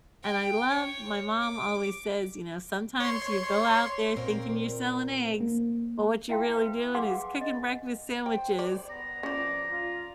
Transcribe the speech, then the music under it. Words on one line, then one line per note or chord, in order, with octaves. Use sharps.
and I love My mom always says, you know, "Sometimes you go out there thinking you're selling eggs, but what you're really doing is cooking breakfast sandwiches,"
G5
C#5
D6
C#5 C6
A#2 C4 A#4
A#3
E4 E5 F5 G5 A5 C6
B4
G#4 F5 F#5 G#5 C6 D6
D#5
C5 G5
D5
B3 A#5
F3 C#4 D5
F4